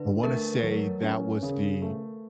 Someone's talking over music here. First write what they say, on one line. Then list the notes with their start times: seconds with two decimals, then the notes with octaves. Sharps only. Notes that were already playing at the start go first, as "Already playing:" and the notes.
I wanna say that was the,
Already playing: D3 B4
0.23 A3 A#4
0.63 F#3
1.03 C#4
1.43 C#3
1.82 A3